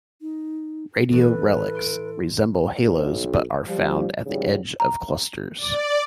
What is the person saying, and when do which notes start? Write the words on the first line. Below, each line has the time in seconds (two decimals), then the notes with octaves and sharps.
Radio relics resemble haloes but are found at the edge of clusters.
0.21 D#4
1.11 A2 E3 A3 A4 B4
1.75 C6 D7
2.84 B1
3.67 F3 G3
4.26 G#2 C#3 E3 F#3 G3
4.80 A#5
5.58 D5